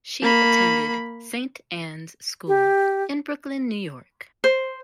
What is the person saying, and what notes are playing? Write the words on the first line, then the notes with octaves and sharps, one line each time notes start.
She attended Saint Ann's School, in Brooklyn, New York.
A#3 B5
G4
C5